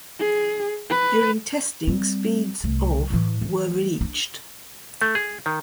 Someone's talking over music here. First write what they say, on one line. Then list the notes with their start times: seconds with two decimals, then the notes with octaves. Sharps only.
During testing speeds of were reached.
0.19 G#4
0.90 B4
1.87 G3 C4
2.64 C2 A3
3.10 A2 E3
3.41 E3 A3
4.01 C#4 D4
5.01 A3
5.15 G#4
5.46 D#3